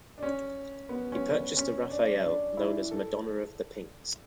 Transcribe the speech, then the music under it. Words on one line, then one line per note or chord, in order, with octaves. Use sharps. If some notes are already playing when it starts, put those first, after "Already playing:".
He purchased a Raphael, known as "Madonna of the Pinks".
D4
C#4
B3
C#4
C#4
D4
D4
E4
A4